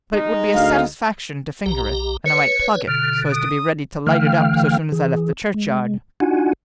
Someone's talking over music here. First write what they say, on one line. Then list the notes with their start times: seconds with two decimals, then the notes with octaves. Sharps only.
But it would be a satisfaction to finger it, and I might plug it, so as to be ready to light up so soon as I left the churchyard.
0.13 G#3 D#4
0.54 D2 F5
1.66 B1 G4 A#5
2.26 B4 C#5 C#7
2.88 B2 D3 F6
3.32 D#6
4.07 D3 E3 A3 F5 G5 F6
4.92 E3 G#4
5.54 G#3
6.20 D4 D#4 F4 F#4 F#5 G#5